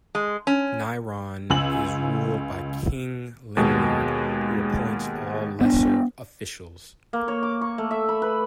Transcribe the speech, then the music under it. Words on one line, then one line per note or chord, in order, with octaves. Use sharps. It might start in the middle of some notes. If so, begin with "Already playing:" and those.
Nyrond is ruled by King Lynwerd, who appoints all lesser officials.
G#3
C#4
C#2 G#5 E6 F#7
D#2 B2 G#3
B3 C4 D4
A#3
C#5
D6
C#6
A3
E5
B5
B4